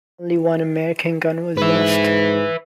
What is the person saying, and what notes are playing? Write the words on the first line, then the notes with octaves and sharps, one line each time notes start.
Only one American gun was lost.
G#2 B4 E5